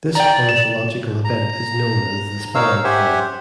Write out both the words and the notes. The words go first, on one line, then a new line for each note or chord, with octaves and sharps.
This ornithological event is known as The Sparrow War.
D5 G5 A#5
E7
A#5
D#4 A#4 C#5 F5 E6
G4 C5 E5 F#5 G#5